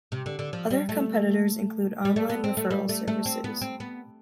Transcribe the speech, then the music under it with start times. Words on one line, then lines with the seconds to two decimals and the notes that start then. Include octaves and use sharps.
Other competitors include online referral services.
0.12 C3
0.26 D3
0.39 D3
0.53 F3
0.70 G3
0.89 A3
2.05 G3
2.16 A3
2.30 B3
2.44 C4
2.57 A3
2.70 G3
2.89 A3
3.08 A3
3.25 C4
3.44 B3
3.61 C4
3.80 B3